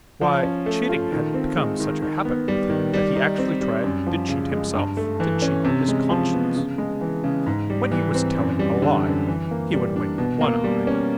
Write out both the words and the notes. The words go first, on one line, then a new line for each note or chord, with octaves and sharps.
Why, cheating had become such a habit with him that he actually tried to cheat himself--to cheat his conscience! When he was telling a lie, he would wink one eye.
F3
C#4
A3
F4
D#3
C4
G#3
D#3
D#3
B3
G3
D#3
G3
D#4
C4
G3
F#2
F3
C#3
G#3
G2
A3
E3
C#4
C3
G#3
F3
B3
C#3
G#3
E3
C#3
G#2
G3
E3
C4
F#2
G3
D3
F#2
E3
A#3
G3
D4
B2
A#3
G3
C#4